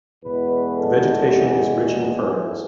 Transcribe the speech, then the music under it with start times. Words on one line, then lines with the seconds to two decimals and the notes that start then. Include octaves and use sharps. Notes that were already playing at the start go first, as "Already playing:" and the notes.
The vegetation is rich in ferns.
0.25 E2 B2 G#3 B4
0.77 A4
1.29 G#4
2.32 G#2 E3 A3